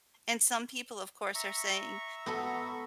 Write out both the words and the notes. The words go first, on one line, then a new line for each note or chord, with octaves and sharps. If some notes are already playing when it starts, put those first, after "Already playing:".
and some people, of course, are saying,
E5 A#5 C#6
B3 F#4 A4